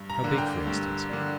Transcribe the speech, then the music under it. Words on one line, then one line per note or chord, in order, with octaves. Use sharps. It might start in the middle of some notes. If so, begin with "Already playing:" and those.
"How big, for instance?"
Already playing: G2
A#5
D3 A#3 D4
G5
G2
D3 A#3 D4